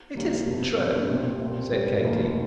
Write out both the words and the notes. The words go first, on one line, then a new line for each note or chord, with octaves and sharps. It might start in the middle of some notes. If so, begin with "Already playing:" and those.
"It isn't true," said Katie.
D#2 C#3 G3 A#3 C#4
G1 F2 C3
G1 G2 F3 C4
C2 A#2 G3 C4
C2 A#2 G3 C4
G#2 G3 C#4
F1 D#2 D#3 A#3